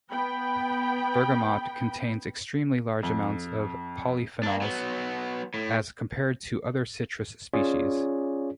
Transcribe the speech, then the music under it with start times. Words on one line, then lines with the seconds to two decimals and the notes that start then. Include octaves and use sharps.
Bergamot contains extremely large amounts of polyphenols, as compared to other citrus species.
0.11 B3 G5 B5
3.03 F2
4.43 A#3 D4
4.62 F#3 B3
5.54 A2
7.54 C#4 F4 G#4 C#5 D5